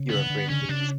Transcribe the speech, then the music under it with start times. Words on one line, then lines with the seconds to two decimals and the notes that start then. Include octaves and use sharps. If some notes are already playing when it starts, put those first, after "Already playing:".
You're afraid of bees.
Already playing: C#3
0.10 D3 B3
0.30 D3
0.50 C#3 C#4
0.69 C#3 D4